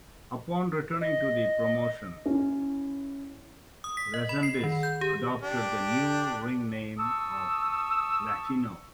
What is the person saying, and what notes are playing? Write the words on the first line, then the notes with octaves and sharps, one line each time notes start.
Upon returning to the promotion, Resendiz adopted the new ring name of Latino.
D#5
C#4 E4
D#6
B6
D#5
B5
C7
D#3
G6
G4
D4 G4
A5 C#6 D#6 E6